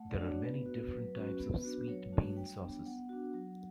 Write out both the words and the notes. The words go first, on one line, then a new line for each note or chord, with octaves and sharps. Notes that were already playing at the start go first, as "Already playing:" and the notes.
There are many different types of sweet bean sauces.
Already playing: A3 F#5
D5
D4 F#4
C#5
B3 B4
F#4
F#3 B4
C#4 F#4
B3
D4 F#4
F#3 C#5
A3 D4 F#4
G3 G5
B3 D4
B3 F#5
D4 F#4
F#3